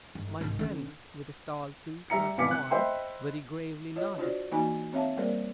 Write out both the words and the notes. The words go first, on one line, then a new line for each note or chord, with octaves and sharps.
My friend, with his tall silk hat on, very gravely nodded.
G1
C2 G#2
D3 C#4
G3 E5 A#5 C#7
G#1 B2 F5 D6 B6 C#7
F#6
C5 D#5 E5 G5 B5 C6
F4 C#5 D#5
D4 F4 F#4 C5 D5
E3 A#3 D#4 F#4 G#5 B5
C4 C#5 E5 F5 A5
G3 A#3 G#4 A#4 C5 D5